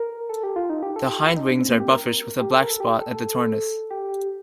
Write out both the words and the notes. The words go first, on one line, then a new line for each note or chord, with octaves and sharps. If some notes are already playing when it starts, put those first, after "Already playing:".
The hindwings are buffish with a black spot at the tornus.
Already playing: A#4
A4
G4
F4
D#4
G4
A4
G4
F4
D#4
D4
C4
A#3
G4
A#4
G4
A4
A#4
A4
G4
A4
G4